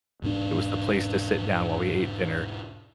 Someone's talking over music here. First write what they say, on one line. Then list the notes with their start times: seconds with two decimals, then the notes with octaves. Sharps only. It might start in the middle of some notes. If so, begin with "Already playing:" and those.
It was the place to sit down while we ate dinner.
0.22 E1 G#2 C4 D4